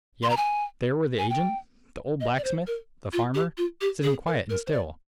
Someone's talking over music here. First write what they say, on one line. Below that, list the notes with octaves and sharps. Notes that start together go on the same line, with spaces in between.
Yet there were the agent, the old blacksmith, the farmer, sitting quiet and still.
C6
A#5
G#5
G#5
G5
D#5
D5
C5
A#4
F4
G4
F4
G4
G#4
A#4
A#4
C5
D5